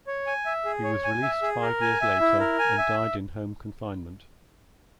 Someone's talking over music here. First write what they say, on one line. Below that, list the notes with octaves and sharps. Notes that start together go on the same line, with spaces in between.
He was released five years later and died in home confinement.
C#5
G#5
E5
G#4
C#5
G#5
E5
G#4
A#4
G#5
E5
E4
A#4
G#5
E5